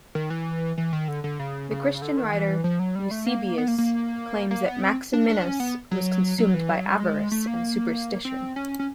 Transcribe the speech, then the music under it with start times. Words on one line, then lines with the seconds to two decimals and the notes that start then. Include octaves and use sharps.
The Christian writer Eusebius claims that Maximinus was consumed by avarice and superstition.
0.15 D#3
0.30 E3
0.78 E3
0.93 D#3
1.08 D3
1.24 D3
1.39 C#3
1.71 C#3
2.02 D3
2.17 D#3
2.33 E3
2.64 F3
2.79 F#3
2.95 G3
3.11 A3
3.26 A#3
3.58 B3
3.68 A#3
3.78 A#3
4.51 A#3
4.66 B3
4.82 C4
5.13 D4
5.29 D4
5.44 C#4
5.60 B3
5.91 F#3
6.38 F#3
6.54 E3
6.69 F#3
6.85 G3
7.00 G#3
7.31 A3
7.47 A#3
8.25 C4
8.56 C#4
8.79 C#4